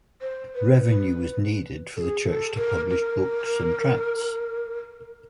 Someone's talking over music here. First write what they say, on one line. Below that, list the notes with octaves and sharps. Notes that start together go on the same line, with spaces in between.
Revenue was needed for the church to publish books and tracts.
C5
B4
B4
A4
G#4
A4
A#4
A#4